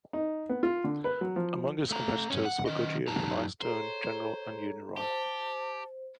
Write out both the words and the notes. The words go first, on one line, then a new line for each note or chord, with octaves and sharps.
Among its competitors were Goodyear, Firestone, General and Uniroyal.
D#4
B3
F4
D3
B4
F#3
F3
A3 A#5
G2 C#4
F#5
D#3 C#4 D#5
F#2 D#4 G4 A5 A#5
G#4 A4 C5 C#5 A#5
G4 C5 A5